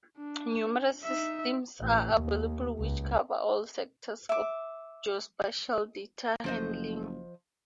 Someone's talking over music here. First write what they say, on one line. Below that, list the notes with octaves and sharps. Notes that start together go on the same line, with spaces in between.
Numerous systems are available which cover all sectors of geospatial data handling.
D4
D#4 E5
A1
D#2
C#2
E5 D6
F#1 F3 C5 D#5